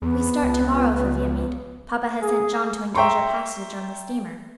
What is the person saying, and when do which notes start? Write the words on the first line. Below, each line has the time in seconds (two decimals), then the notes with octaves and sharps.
"We start to-morrow for Viamede; papa has sent John to engage our passage on the steamer."
0.02 E2 B3
0.42 C#2
2.21 G#4
2.95 E5 G5 A#5 C6 C#6